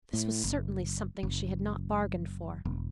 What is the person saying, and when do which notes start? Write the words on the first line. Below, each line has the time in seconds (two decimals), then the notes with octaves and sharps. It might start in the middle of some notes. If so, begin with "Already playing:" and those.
This was certainly something she had not bargained for.
0.13 A2
0.44 F#1
1.23 F#1
2.65 E1